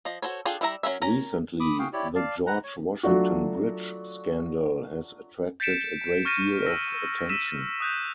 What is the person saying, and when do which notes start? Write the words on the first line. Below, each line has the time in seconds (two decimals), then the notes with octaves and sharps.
Recently, the George Washington Bridge scandal has attracted a great deal of attention.
0.05 F3 D#5
0.22 F#4 A4 C5 C#5
0.46 D4 F4 G#4 A4 G5
0.61 G3 E4 E5 A#5
0.83 F#3 C4 C#4 A#4 E5
1.02 C#4 A#4 A#5
1.60 B5 D6 D#6
1.79 F#4 G#4 F5 G5
1.93 E4 G4 C#5 D5
2.16 D5 F5 A5
2.47 B4 F#5 A#5
2.64 C#5
3.03 F#3 A3 D4 F4 F#4
5.60 G6 A6 B6 C#7 D7 E7
6.25 C#6 F6 A6 A#6 D#7
6.66 E6 A#6
7.29 E6 B6 D#7 E7
7.80 D#6 F#6 G6